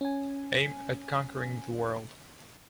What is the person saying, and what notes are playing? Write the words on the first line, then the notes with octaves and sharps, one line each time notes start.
Aim at conquering the world.
C#4 G#5